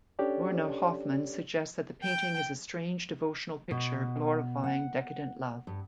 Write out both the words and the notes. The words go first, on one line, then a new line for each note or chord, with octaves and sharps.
Werner Hofmann suggests that the painting is a strange devotional picture glorifying decadent love.
C#4 D4 G4 A4 C#5 D5
G5
B2
F#5
G2